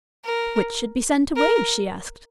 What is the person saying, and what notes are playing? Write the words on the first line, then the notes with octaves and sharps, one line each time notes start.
"Which should be sent away?" she asked.
A#4
A#4